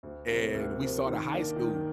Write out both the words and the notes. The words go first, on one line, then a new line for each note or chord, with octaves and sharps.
and we saw the high school,
D2
C3 F3 A#3
D2
C3 F3 A#3
D#3
A#3 D4
D#3